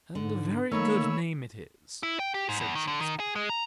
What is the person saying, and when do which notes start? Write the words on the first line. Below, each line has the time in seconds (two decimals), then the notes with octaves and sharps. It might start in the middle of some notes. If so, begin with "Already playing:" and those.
"And a very good name it is," said Shakespeare.
0.15 G#2 D3
0.71 D#3 A3 A#3 C#5 B5 E6
2.03 E4
2.19 G5
2.34 G4
2.49 G#2
2.60 E2
2.75 D#3
2.87 D3
3.01 D#3
3.20 G#4
3.35 G#3
3.49 A#5